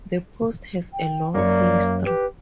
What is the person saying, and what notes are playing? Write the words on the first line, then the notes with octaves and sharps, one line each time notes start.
The post has a long history.
G5
F#2 A#3 C#5 D5
G4 B4